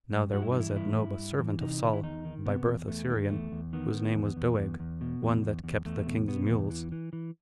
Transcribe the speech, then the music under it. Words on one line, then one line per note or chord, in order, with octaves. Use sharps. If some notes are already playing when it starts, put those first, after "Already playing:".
Now there was at Nob a servant of Saul, by birth a Syrian, whose name was Doeg, one that kept the king's mules.
G2
G2 F#4
E4
D#4
E3
E4
G2 E4
G2
G2
E3
C3 D#4
D#3
E4
E2 D#4
D#3
C3 B3
E2
E2 A3
D#3
E2 A3
E2
D#3 B3
D#3
E2
E2
E2
E2
B2
E2
E2
E2
E2 A3
B2
B2 B3
E2
E3
E3
E3